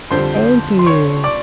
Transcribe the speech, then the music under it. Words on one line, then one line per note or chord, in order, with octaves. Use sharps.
Thank you.
F2 D3 G3 C5 C6
C6
C#5 C#6
D5 D6